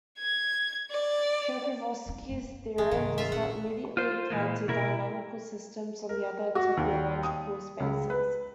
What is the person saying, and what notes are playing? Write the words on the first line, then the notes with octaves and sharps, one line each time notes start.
Sharkovskii's theorem does not immediately apply to dynamical systems on other topological spaces.
G#6
D5
C4 D#4
F#2 A3
E3 G#3 A3
G2 C3 D#3
F4 E5
A#2 C#4 F#5
F4 C5
A#2 E3 G#3 A#3
B2 E4 A#4
A#4
F#4
D#2
D#6
C#2
B4